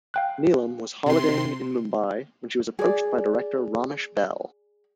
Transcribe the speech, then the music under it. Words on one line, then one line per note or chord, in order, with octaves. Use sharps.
Neelam was holidaying in Mumbai when she was approached by director Ramesh Behl.
F5 G5 F#6
C3 C6
G#4 D5